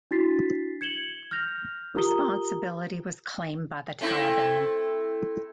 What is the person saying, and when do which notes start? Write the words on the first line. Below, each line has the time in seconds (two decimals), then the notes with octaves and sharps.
Responsibility was claimed by the Taliban.
0.11 D4 E4 F#4 A6 B6 C7
0.81 G#6 C#7 E7 F#7 G7
1.31 F6 G6 A#6 F7
1.95 F4 G4 A#4 A#5 D#6 G7
4.01 A3 C4 E4